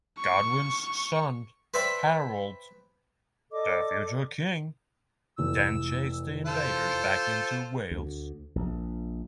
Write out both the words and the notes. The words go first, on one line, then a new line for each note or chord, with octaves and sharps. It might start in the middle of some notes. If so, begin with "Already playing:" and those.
Godwin's son, Harold, the future king, then chased the invaders back into Wales.
C#6
B4 C5 D5 E5 G5 B5
A4 D5 D#5 D6
F1 E3 E6
F4 A4 C5
D2
A#1